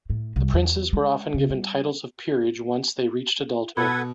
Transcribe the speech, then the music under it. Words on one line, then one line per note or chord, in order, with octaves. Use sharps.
The princes were often given titles of peerage once they reached adulthood.
A2
C2
E2
G#3
C#3
G3
B2 A4 B4 F#5 B5 G#6